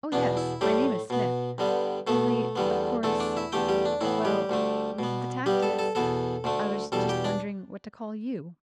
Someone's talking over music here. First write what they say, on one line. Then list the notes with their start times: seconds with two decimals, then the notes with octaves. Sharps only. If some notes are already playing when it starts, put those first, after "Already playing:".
"Oh yes, my name is Smith: only of course--well, the tact is, I was just wondering what to call you."
0.12 E2 B2 B3 D4
0.37 E4
0.61 A2 G3 A3 G4
1.10 B2 B3
1.58 G2 D3 G3 B3
2.07 B2 A3 B3 A4
2.56 E2 D3 G3 B3
3.03 E2 D3 A3 A4
3.20 D4 D5
3.37 E4 E5
3.52 E2 D3 A3 G4 G5
3.68 G3 G4
3.85 D4
4.01 A2 E3 B3 E4
4.25 G3 G4
4.49 D2 D3 A3
4.99 B2 B3
5.46 G2 G3 B3 G4
5.63 A4 A5
5.79 A4 A5
5.95 E2 B2 B3 A4 A5
6.44 D2 D3 A3
6.92 E2 B2 G3 A4 A5
7.09 G4 G5
7.24 D4 D5